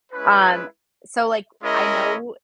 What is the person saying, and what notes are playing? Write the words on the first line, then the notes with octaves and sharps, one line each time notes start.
Um, so, like, I know
G#3 C#4 E4 B4
G#3 C#4 E4 A#4 D#5